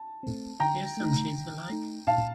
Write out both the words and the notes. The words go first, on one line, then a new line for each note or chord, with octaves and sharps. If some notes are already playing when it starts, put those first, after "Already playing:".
Here's some cheese you like.
Already playing: A5
A3 C4
D3 G5 A#5
A3 D#4
D3
A3 D#4
A#2 F5 A5